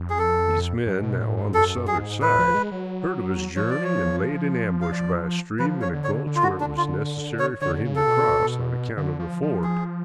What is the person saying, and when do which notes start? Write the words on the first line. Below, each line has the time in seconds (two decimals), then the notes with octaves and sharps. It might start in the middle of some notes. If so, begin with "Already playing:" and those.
These men--now on the Southern side--heard of his journey and laid in ambush by a stream in a gulch where it was necessary for him to cross on account of the ford.
Already playing: F2
0.10 G#4
0.19 A4
0.86 F#2
1.03 B2
1.20 A2
1.37 G#2
1.54 F#2 A4
1.76 F#2
1.88 G#4
1.98 G#2
2.21 A2 B4
2.39 F3
2.54 G#3
2.71 F#3
3.56 F3 C#5
3.70 D5
3.84 C#5
4.82 F5
4.92 D5
5.59 F3 B4
5.82 C#5
5.93 D3
6.04 C#5
6.27 D3
6.36 F4
6.43 F#4
6.61 D4
6.77 F4
7.39 C#5
7.61 D3 C#5
7.85 C#3
7.96 A4
8.07 B2
8.97 D3
9.19 F3
9.42 F3
9.64 G#4